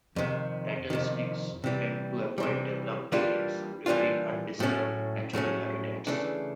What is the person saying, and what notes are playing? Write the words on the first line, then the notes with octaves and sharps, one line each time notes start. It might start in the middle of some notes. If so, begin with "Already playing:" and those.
Rattlesnakes tend to avoid developed areas, preferring undisturbed, natural habitats.
F2 C3 D#3
F2 C3 D#3
C3 E3 G3
C3 E3 G3
E3 G3 A#3 D4 F4
E3 G3 A#3 D4 F4
A2 F#3 A3 C#4
A2 F#3 A3 C#4
C#3 E3 A3 D4